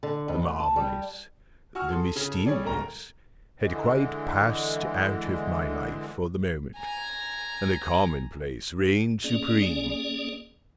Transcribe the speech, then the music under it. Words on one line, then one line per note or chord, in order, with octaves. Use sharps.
The Marvellous--the Mysterious--had quite passed out of my life for the moment: and the Common-place reigned supreme.
D3
F2
D2
A5
G3
F#4 G#5 C#6 E6 F6
G#4 A4 C6
C#3 G#4
A4
G3 G#4 C#5 D5
D1 C#2 F#3 A3 A#4 A#5
D3 E3 G#3
G#5 A#5
A#3 C#4 G#4 D5